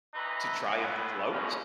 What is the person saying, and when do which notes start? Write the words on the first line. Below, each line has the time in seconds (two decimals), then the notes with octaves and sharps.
to try and float
0.14 D2 E3 D#4 B4
0.78 A2 C#3 G#3 B3
1.30 C2 G#2 C#3 F3 C#4